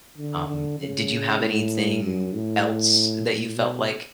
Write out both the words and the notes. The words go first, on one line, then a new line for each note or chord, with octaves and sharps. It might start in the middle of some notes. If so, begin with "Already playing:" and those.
Um, eh, did you have anything else that you felt like,
D3
D3
C#3
A2
F#2
A2
A2
B2